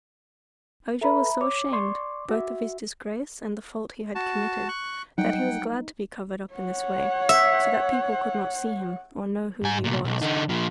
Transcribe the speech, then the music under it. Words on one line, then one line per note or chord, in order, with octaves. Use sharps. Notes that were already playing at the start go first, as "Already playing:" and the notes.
Ojo was so ashamed, both of his disgrace and the fault he had committed, that he was glad to be covered up in this way, so that people could not see him or know who he was.
A4 B4 E5 A#5 B5
C#5 D6
D5 C6 C#6
F#4 E5
F#4 A5
C#6 F#6
F#3 G3 D#4 F#5 G5
C#5 F#5
E5
G#2 G#5
C2 A#2
B1
D3 D#4
A#2 F3